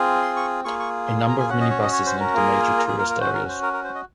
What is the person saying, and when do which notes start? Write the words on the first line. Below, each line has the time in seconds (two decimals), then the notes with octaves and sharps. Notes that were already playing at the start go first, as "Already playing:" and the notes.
A number of minibuses link the major tourist areas.
Already playing: C4 F4 G#4
0.22 C6
0.36 C#6
0.65 A#3 F4 G#4 C#6
0.79 C#6
1.07 C6
1.18 C6
1.28 A#5
1.39 G#5
1.49 C#4 F#4 F#5
1.61 D#5
1.70 C#5
1.82 D#5
1.93 C#5
2.06 C5
2.20 A#4
2.34 A#3 F4 G#4
2.78 A#4
2.89 G#4
2.99 A#4
3.10 A#4
3.20 C#4 F#4 C5
3.34 A#4
3.49 C5
3.63 A#4
3.73 A#4
3.84 C5
3.95 D#5